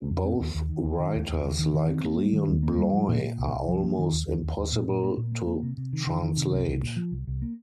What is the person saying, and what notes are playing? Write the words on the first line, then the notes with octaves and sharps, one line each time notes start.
Both writers, like Leon Bloy, are almost impossible to translate.
F2
C4
D#2
D#2
D#3
D#2
D#3
D#2
D#2
D#2
D#3
D#3
C4
A#3
G3
D#3
D#2
A#3
G3
F3
A#2
A#2
C2
C2
F3
A#3
D#3
D#2
D#2
D#2
D#2
A#2
A#2
A#3
A#2
A#3
A#3
C3
C3
D#3
D#3
D#3
C3
C2
C2
A#2
F3
C2
C2
A#3